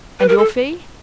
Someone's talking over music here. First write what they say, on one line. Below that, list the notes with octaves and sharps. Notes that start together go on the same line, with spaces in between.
"And your fee?"
B4
A#4
A4